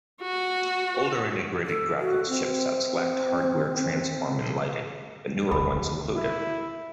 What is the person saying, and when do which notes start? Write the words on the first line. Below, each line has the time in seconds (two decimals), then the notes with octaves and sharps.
Older integrated graphics chipsets lacked hardware transform and lighting, but newer ones include it.
0.22 F#4
1.66 A4
2.00 F#4
2.29 C4
5.52 E1 D2 B5
6.16 E4